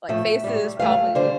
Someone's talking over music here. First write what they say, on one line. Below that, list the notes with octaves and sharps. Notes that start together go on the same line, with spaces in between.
like faces probably
A2 F3 A3 E5
A2 G3
G2 E3 A3 F5
D3 G3 C5